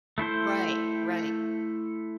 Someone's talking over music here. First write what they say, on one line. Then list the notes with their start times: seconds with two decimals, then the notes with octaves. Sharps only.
Right, right.
0.18 A3 E4 A4 C5